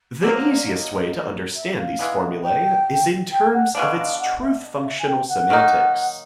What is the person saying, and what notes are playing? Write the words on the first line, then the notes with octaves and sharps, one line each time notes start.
The easiest way to understand these formulae is in terms of its truth-functional semantics.
D3 F#3 A#3 A#4
C5
C#5
D#5
D5
D#5
E5
F5
E3 G#3 B3
G5
G5
F#5
B2 G#3 B3 D4 F5
F5
F#5
E5
D#5
F5
E5
G#5
G5
F#5
D#3 F#3 A#3 D#4